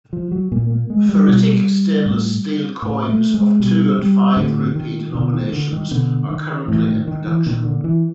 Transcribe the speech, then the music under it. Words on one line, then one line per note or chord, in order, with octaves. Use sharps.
Ferritic Stainless Steel coins of Two and Five Rupee denominations are currently in production.
F3
F#3
A#2 A#3
A#3
G#3
G3
B2
A2
A2
A3
G#3
B2 G3
G3
A2 D3
D#3
B2 D3
D#3
D3
D#3
B2 D3
D#3
A2 E3
D#3
D#3
E3
A#2 D#3
D3
E3